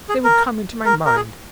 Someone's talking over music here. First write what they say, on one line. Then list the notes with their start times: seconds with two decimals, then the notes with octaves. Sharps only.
They would come into my mind.
0.09 G#4
0.24 A#4
0.85 A#4
1.06 A#4
1.16 G#4